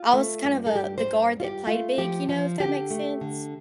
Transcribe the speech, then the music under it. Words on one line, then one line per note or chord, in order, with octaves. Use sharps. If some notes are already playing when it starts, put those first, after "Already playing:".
I was kind of a the guard that played big, you know, if that makes sense?
Already playing: F4
A3
G2
A4
G2 G4
C5
G2
G2 F4
G4
A3 F4
F3 G4
F3
D3 G4
A3
D3